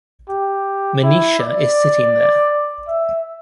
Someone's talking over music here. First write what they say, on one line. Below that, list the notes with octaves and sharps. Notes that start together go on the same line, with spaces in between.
Manisha is sitting there.
G4
E4
D5
E5